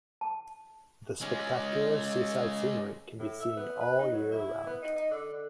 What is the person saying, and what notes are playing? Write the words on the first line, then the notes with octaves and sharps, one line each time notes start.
The spectacular seaside scenery can be seen all year round.
A5
G#3 C#4
A2
E5
B3
B4
D#4
F#3
E4
B3
D#4
D#4
D3
D3